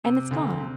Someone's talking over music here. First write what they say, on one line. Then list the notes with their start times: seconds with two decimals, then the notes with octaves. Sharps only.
and it's gone."
0.04 C3
0.31 D2
0.59 C3